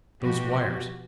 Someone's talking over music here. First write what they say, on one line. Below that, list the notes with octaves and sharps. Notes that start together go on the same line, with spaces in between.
Those wires!
B2 F3 F#4 G4